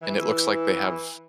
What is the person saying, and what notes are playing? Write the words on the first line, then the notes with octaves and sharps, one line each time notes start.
and it looks like they have
E3